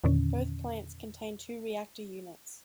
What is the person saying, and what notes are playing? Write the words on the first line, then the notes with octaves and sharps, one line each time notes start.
Both plants contain two reactor units.
E2 A#2 D3 D#3 C#4